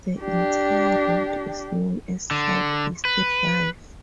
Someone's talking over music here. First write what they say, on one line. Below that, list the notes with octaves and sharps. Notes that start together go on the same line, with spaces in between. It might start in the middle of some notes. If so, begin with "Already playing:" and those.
The entire route is known as Southeast Drive.
D4 G4
D3
B4